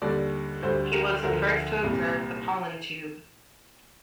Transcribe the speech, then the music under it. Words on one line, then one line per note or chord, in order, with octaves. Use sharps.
He was the first to observe the pollen tube.
D#2 D3 G3 D5
D2 D3 G3 C5
A#4
D2 D3 F3 A#4
C2 A#2 G3